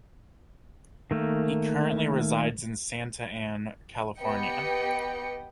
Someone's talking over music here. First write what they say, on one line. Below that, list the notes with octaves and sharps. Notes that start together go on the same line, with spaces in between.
He currently resides in Santa Ana, California.
D#3 A3 A#3
B3 G4 B4 D#5 G5 C#7